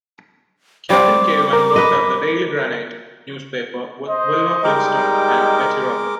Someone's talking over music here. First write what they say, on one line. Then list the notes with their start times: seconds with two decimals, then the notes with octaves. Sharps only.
Captain Caveman worked at "The Daily Granite" newspaper with Wilma Flintstone and Betty Rubble.
0.90 G3 C4 D6
1.53 A#4
1.76 B4 D#5
4.09 C5 D#5
4.64 G3 G#3 D#4 A#4 G5 D6